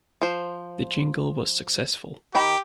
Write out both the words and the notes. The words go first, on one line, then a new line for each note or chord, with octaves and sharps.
The jingle was successful.
F3 C5
D#3 G4 G5 B5